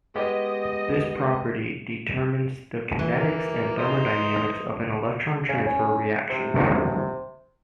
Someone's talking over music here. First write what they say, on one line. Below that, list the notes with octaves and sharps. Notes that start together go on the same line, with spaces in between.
This property determines the kinetics and thermodynamics of an electron transfer reaction.
G#3 B3 G4 D#5
E3
A#3
D#4 C5 D#6
C#3
C#4
C3